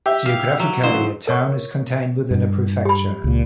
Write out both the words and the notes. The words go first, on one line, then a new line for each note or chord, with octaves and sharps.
Geographically, a town is contained within a prefecture.
G4 E5
F5
F#3
C#3 E3 C5
A#4 C#5 C#6
G2
G4 B5
C#2 A#2